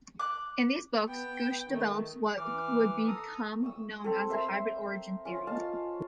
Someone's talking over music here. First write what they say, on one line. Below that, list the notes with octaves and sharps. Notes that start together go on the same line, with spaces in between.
In these books, Gooch develops what would become known as the "hybrid-origin theory".
D6 F#6
B3 G5
D#3 A3
E3 D6 F6
A4 A#5 D#6
C#6 D#6 E6
C4 A4
A#4 C5 E5 C6
C#4 F4
D#5 F5 A5